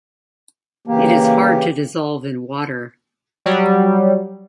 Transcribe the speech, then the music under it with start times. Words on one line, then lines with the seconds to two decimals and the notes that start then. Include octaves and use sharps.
It is hard to dissolve in water.
0.87 C#3 E3 A#3 G4
3.46 F#3 G3